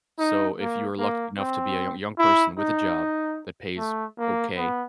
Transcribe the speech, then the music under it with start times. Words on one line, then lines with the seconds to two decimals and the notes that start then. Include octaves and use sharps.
So, if you're lucky enough to be a yo young person with a job that pays okay,
0.19 D#4
0.59 A#3
0.98 A#3
1.38 C4
2.18 E4
2.57 D#4
3.77 A3
4.18 A#3
4.57 B3